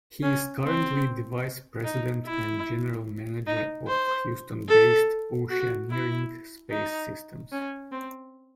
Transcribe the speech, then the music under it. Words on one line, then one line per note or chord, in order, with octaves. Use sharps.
He is currently the Vice President and General Manager of Houston-based Oceaneering Space Systems.
C#4
C4
D#4
E4
D#4
C5
A4
F#4
E4
D#4
C#4
C4